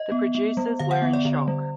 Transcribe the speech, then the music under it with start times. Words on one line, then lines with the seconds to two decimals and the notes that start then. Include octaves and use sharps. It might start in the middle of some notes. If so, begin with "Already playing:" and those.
The producers were in shock.
Already playing: D#5
0.12 B3
0.35 B3
0.57 G3
0.79 D3 F5
0.91 F#5
1.02 B3
1.13 D5
1.25 D3
1.48 G3